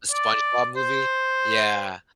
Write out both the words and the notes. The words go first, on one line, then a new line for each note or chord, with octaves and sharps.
The SpongeBob movie? Yeah.
D5
C5